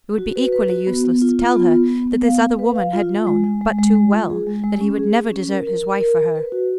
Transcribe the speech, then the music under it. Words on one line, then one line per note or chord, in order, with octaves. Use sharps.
It would be equally useless to tell her that this other woman had known, but too well, that he would never desert his wife for her.
F#4
B4
B4
F#4
B3
B3
F4
F4
B3
B3
B3
B3
F5
F5
B4
F5
F4
F4
G#3
G#3
G#3
G#3
G#3
F4
G#4
G#3
G#3
C#4
G#4
G#4
C#4
A#4
A#4
A#4
A#4
A#4
B4
F#4